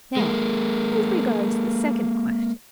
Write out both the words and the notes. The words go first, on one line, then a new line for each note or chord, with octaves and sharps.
"Now as regards the second question."
G#3 A#3